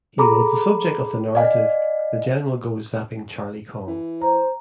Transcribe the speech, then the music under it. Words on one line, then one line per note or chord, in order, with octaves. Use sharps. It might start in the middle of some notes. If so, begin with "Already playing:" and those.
He was the subject of the narrative "The General Goes Zapping Charlie Cong".
G#4 A4 A#5 B5 D6
D5 D#5 F5 G#5
E3
C5 A#5